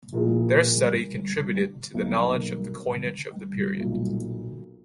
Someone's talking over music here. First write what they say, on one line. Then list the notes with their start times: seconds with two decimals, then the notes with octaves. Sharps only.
Their study contributed to the knowledge of the coinage of the period.
0.13 A#1 A#2 A#3 E4 G#4
1.94 B1 B2 A#3
3.76 B1 A#2 F#3